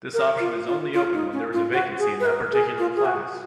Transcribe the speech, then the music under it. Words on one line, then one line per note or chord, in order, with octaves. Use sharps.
This option is only open when there is a vacancy in that particular class.
A#4
F4
F4
F4
D#4
C#4
F4
F#4
G#4
B4
A#4
G#4
F4
G#4
F#4